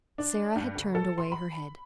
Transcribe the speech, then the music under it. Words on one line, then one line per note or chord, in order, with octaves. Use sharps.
Sara had turned away her head.
D4
G2
D2
A4
C6
B5